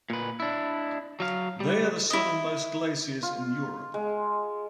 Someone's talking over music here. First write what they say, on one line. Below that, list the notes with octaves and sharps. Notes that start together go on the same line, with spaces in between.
They are the southernmost glaciers in Europe.
A#2 B4
D4 E4
F#3 F5
G3
E4 D#5
F4
G#3